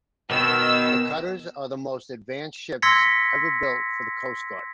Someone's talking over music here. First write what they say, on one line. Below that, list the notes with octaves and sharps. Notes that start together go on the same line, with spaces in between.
The cutters are the most advanced ships ever built for the Coast Guard.
B2 D#3 E6
C6 E6 G#6 A#6 B6 C#7